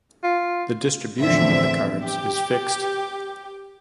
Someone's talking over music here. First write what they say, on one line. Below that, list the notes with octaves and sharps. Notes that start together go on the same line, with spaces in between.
The distribution of the cards is fixed.
F4
A1 E2 D3 F3 C4 E5
G4